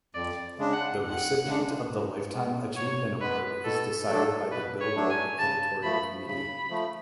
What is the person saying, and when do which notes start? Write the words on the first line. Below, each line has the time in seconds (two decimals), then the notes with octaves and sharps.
The recipient of the Lifetime Achievement Award is decided by the "Billboard" editorial committee.
0.14 F2 D5
0.58 C#3 G#3 D4
0.73 F#5
1.02 F2 F#5
1.45 C#3 G#3 D4
1.90 G#2
2.33 G#3 B3
2.76 G#2 C#5
3.21 G#3 B3 B4
3.64 B2 A4
4.08 F#3 A3 D4 A4
4.52 B2 B4
4.81 C#5
4.95 F#3 A3 D4
5.10 G#5
5.39 C#3 A5
5.83 F3 A3 B5
6.26 C#3 B5
6.70 F3 A3